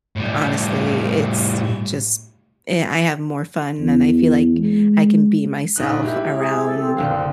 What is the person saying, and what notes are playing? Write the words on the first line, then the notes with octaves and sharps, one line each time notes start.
honestly, it's just i I have more fun than I feel like I can be myself around,
A2 G3
E2
G#3
A#1 D#4 F#6
G#3 E4 G4
G#4
A4
C4
F#1 D3 F5